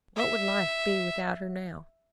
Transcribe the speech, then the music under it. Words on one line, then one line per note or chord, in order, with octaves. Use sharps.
What would life be without her now?
E5